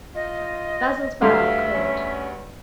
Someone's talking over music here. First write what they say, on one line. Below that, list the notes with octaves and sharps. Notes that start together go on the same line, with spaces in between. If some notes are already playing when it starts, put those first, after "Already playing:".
Basil's brow cleared.
F4 D#5
D2 G2 A4 E5 F5 C6
C#4